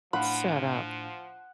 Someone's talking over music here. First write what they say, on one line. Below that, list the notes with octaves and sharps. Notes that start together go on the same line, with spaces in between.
Shut up.
A2 F3 D4 F5 F#5 B5